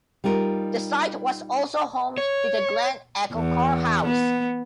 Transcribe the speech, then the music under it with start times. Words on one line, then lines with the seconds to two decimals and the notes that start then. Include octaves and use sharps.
The site was also home to the Glen Echo Carhouse.
0.24 G3 D#4 F4 A#4
2.18 C#5
3.33 E2
4.05 B3